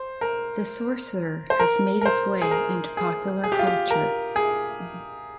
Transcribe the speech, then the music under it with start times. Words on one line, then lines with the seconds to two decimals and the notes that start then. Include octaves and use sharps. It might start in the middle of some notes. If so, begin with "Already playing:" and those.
"The Sorcerer" has made its way into popular culture.
Already playing: C5
0.21 A#4
1.50 C5
1.60 A#4
2.02 A#4
2.06 C5
2.42 G#4
2.51 A#4
2.97 G#4
3.44 G#4
3.52 G4
3.59 F4
3.67 G4
3.91 A#4
4.36 G#4